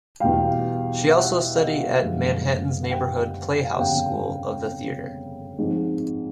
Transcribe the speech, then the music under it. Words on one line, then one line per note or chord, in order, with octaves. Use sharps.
She also studied at Manhattan's Neighborhood Playhouse School of the Theatre.
E2 B2 G3 F5 G5
E5 F#5
D#5 F5
F#1 F#2 D3 F3 G#3
F#5
F5 G5
F5
F#5
G1 F2 C#3 F5 G5
G#1 G#2 F3 G#3